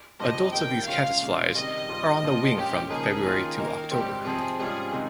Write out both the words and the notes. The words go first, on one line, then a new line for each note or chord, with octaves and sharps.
Adults of these caddisflies are on the wing from February to October.
G2 F3 C4 F4 D#5
D#3 G3 A#3 G5
C#3 G#3 C#4 F4 F5
A#2 G#3 C#4 F4
C3 D#3 G3 D#5
G2 G3 C4 F4
A#2 F3 C4 F4
A#2 G#3 C#4 F4 G4
C#3 F3 A#3 D#4 G#4
D#3 A#3 C#4 F4
D#3 A#3 D#4 A#4
G#2 G3 C4 G4
C3 F3 C4 G#4
G#2 G3 C#4 F4 G#4
C3 D#3 G#3